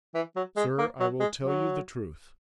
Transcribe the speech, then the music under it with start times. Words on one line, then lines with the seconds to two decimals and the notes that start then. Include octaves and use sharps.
'Sir, I will tell you the truth.
0.15 E3
0.36 F#3
0.57 G#3
0.78 A#3
1.00 F#3
1.20 G#3
1.42 F#3